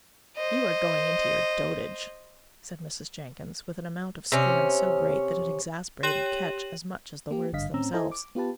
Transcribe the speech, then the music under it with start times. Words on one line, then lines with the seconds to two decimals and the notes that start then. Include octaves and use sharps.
"You are going into your dotage," said Mrs. Jenkins, with an amount of scorn so great that it exasperated Ketch as much as the words themselves.
0.37 C5 D#5
4.32 C3 C#4
6.03 G4 C#5 G5 D#7 F#7
7.31 A#3 G4
7.53 G#1 G2 D3 D#5 F5 B6
7.74 A2 C4 C#4 A#5 E6
7.94 E4 A4 C5 D#5 G#5 A#5
8.12 D6
8.35 B3 F4 G4 B4 A5